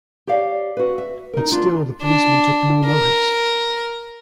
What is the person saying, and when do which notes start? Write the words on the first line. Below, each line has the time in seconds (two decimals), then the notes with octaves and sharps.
But still the policeman took no notice.
0.27 G4 C#5 D5 F5
0.77 F#4 B4
0.98 E5
1.33 D#4 A#4
1.52 D2 D4 F4
2.02 D4
2.86 A#4